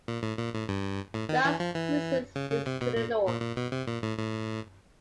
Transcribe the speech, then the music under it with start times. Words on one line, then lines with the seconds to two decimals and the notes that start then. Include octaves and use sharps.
Las Cruces is to the north.
0.08 A#2
0.23 A2
0.39 A#2
0.54 A2
0.69 G2
1.14 A2
1.29 D#3
1.45 E3
1.60 F3
1.75 E3
2.36 C#3
2.51 C#3
2.66 C3
2.81 B2
2.96 A#2
3.27 A#2
3.42 A#2
3.57 B2
3.72 C3
3.87 A#2
4.03 A2
4.18 A2